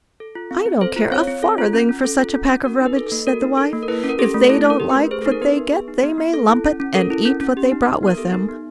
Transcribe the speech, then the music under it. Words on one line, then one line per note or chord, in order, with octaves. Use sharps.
'I don't care a farthing for such a pack of rubbish', said the wife; 'if they don't like what they get they may lump it, and eat what they brought with them.
A4
F4
C4
C4
A4 C5
F4
C4 C#5
C4
A4
F4
C#4
C#4
A4
F4
C#4
C#4
F#4 A#4
D#4
B4
A4
A4
A#3
F#4 A#4
D#4
A4
A#3
A#4
E4 B4
C#4
A#4
G4 A4
A3
E4 A4
C#4
A#4
G4
B4
A3
G#4 C5
D#4 A4
A#4
B3 B4
B3
G#4
D#4
B3
B3
A4
E4
C#4
C#4
A4 A#4
E4
C#4
C#4
G4
D#4
B3
B3 A#4
G4 A4
D#4
B3